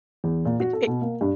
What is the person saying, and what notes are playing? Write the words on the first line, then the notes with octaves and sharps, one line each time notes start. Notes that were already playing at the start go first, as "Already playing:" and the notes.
It it
E2
A#2
F#4
A4
B2
A#3
G2